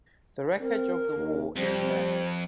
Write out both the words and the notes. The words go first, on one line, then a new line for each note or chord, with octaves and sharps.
The wreckage of the war is immense.
C4 A#4
D#2
F2 G3 C5